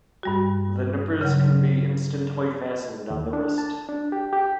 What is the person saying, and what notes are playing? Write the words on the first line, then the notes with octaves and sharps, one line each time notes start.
The nippers can be instantly fastened on the wrist.
G2 G3 F#4
C#3 F#3
D#2
D4
A5
D4
G4
G4